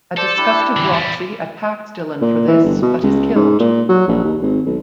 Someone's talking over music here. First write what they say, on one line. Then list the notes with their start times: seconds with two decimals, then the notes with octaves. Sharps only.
A disgusted Roxy attacks Dillon for this but is killed.
0.17 A4 C5 D5
0.37 D4 E4 G4
0.76 D3 E3
0.93 E2 G3
2.21 A#2
2.48 E3
2.64 G1
2.82 B2
3.03 C#2
3.36 G#2
3.60 A#2
3.89 F#3
4.08 A#1
4.24 D#2
4.41 G#1
4.66 B1